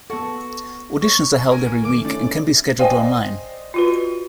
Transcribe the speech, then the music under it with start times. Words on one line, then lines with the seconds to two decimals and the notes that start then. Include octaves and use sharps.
Auditions are held every week and can be scheduled online.
0.10 B3 F#4 A4
1.01 C#5
1.51 C#4 A#4 G#5
1.85 D#3 A3 D6
2.05 C#4 E4 D5
2.79 C5 D5 D#5 F5 G5 G#5
3.74 F4 F#4 B4